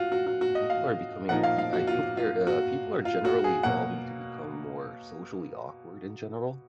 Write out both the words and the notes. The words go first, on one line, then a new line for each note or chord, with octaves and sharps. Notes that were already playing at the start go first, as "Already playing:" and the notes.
people are becoming ee I think they're, uh people are generally evolving to become more socially awkward in general.
Already playing: F4 F#4
F#4
F#4
F#4
D#5
F5
A#2 F3 A#3 D#4 F#5
F5
F5
F#4
F4
F4
F#4
F4
F#4
G#4
B2 F#3 A#3 F#5